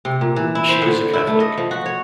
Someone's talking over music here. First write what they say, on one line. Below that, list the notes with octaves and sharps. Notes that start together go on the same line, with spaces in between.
She is a Catholic.
C3
A#2
E3
E4
C5
D3
E4
A3
D#5
F3
F#4
C#5